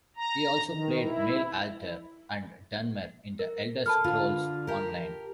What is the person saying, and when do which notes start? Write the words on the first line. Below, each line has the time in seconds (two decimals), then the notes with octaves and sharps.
He also played Male Alter and Dunmer in The Elder Scrolls Online.
0.17 A#5
0.67 D#3
1.02 E4
3.39 A#4
3.86 A4 A5 B5 F6
4.04 D3 F4
4.67 G4 A#4